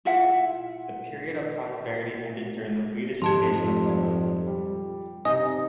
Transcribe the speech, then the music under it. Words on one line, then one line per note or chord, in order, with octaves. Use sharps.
The period of prosperity ended during the Swedish invasion of Poland.
E4 F4 E5 F#5
F2 G#2 F3 G4 A5 C6
G3
C3 D#4 D#5 G#5